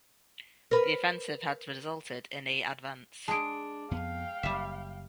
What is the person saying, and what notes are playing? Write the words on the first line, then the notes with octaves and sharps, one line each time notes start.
The offensive had resulted in a advance.
A#4 B4
G#3 D4 G#4 A5 D7
F2 B3 F5 G5
F#1 G3 E5